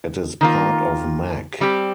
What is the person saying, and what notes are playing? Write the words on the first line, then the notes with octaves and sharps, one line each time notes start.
It is part of Mac.
D#3 A#3 F4
G3 C4 G4